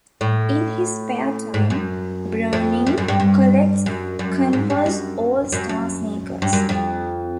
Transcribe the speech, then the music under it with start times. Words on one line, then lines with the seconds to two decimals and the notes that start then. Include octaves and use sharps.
In his spare time, Bruening collects Converse All-Star sneakers.
0.21 A2
1.54 G#2
1.70 F#2
2.53 F2
2.86 F#2
2.98 F#2
3.08 G2
3.20 G2
3.86 F#2
4.19 F#2
4.53 G#2
4.70 G2
4.86 F#2
5.52 F#2
5.69 F#2
6.42 G2
6.53 F#2
6.69 F2